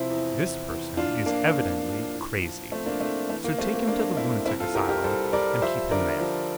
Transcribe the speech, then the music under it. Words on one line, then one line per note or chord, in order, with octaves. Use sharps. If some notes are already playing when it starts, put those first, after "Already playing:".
"This person is evidently crazy; so take him to the lunatic asylum and keep him there."
Already playing: C3 F3 C4 E4
E2
E2
E2
A2 D4 F4
F3 A#3 D4
A2
F3
A2
F3
F3 A3 C4
A#3 D4
A2 A3 C4
E3 A3
A#3
G3 A3 C4
A#3
G2 A#3 D4
G2 C4 E4
C2 C4 E4
F4 A4
C2 G4 A#4
G4 A#4
G3 A4 C5
G3 A#4 D5
F3 C5 E5
D3 A#4 D5
F3